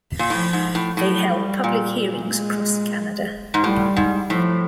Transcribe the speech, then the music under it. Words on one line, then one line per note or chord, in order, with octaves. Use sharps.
They held public hearings across Canada.
A#2
A2 F3
G#2
A2
A2 F#3
G3
A#2
G#3
G#2
A2 G3
G#2
A2 F3